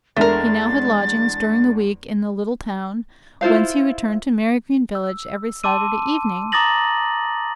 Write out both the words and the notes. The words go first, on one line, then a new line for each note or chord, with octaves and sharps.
He now had lodgings during the week in the little town, whence he returned to Marygreen village every Saturday evening.
E2 G#3 A3 D4 A#4 A6
E4 F4 C5 F5
E6
A5 C6 D6 E6 D#7
A#5 D6 D#6 A6 A#6 F#7